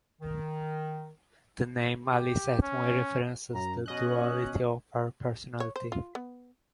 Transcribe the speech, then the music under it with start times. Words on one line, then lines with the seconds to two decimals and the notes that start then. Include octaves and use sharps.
The name "Alice et Moi" references the duality of her personality.
0.21 D#3
2.07 G4
2.62 C#4
3.55 F#2 A#5
3.86 B2 C#4 D#5 F#6
5.60 C#5
5.76 C5
5.92 F4
6.15 B3